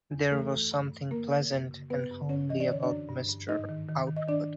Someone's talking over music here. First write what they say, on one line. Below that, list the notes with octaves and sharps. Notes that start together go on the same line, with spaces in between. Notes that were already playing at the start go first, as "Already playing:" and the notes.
There was something pleasant and homely about Mr. Outwood.
E2
E3 A3 A4
F#2
G2
G2
D3 A#3 A#4
D3
F#2
C#3
G2 B3 B4
G2
G2 C#4 C#5
E3 D#5
D5
D3 C#5
D4 D5
F#2
G2
G2
G#2 D#4 D#5
D#3
D#3
D#3
D#5
D#3 D4 D5